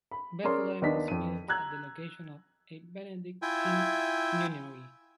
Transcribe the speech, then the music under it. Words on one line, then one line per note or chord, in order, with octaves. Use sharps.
Bethlehem is built at the location of a Benedictine nunnery.
B5
C#4 G#4 A#4 D5 C6
D#2 B3 D4 D#5 B6
F2 D#7
A#5 E6 F#6 G#6
E4 F4 E5 G5 G#5